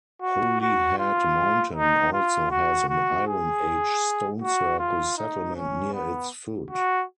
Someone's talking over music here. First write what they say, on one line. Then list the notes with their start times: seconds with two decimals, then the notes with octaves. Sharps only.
Holyhead Mountain also has an Iron Age stone circle settlement near its foot.
0.22 F#4
0.61 F#4
0.99 F4
1.74 D#4
2.13 F4
2.51 F#4
2.89 F#4
3.28 G#4
4.42 F#4
4.79 F4
5.18 D#4
5.56 C#4
5.94 B3
6.71 F#4